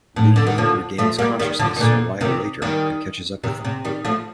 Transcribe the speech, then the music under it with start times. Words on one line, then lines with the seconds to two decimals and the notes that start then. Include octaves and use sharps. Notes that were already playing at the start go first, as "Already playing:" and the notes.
Li Yun regains consciousness a while later and catches up with them.
0.16 A2
0.36 D3
0.47 D#3
0.58 D3 F3
0.98 F3 A3
1.18 G3 A#3
1.39 D#3 G3
1.59 D3 F3
1.76 D#3
1.80 A#2 D3
2.21 C3 D#3
2.62 D#3 G3
3.44 C3 D#3
3.65 C3
3.85 D#3 G3
4.05 F3 A3